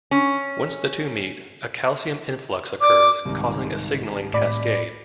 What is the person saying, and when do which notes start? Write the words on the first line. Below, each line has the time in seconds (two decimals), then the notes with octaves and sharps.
Once the two meet, a calcium influx occurs, causing a signaling cascade.
0.11 C#4
2.81 D5 D6
3.25 C2 G#2 D#3
4.34 A2 D5 B5